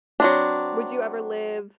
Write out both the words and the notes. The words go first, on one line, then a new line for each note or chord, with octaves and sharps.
Would you ever live
F#3 C4 D4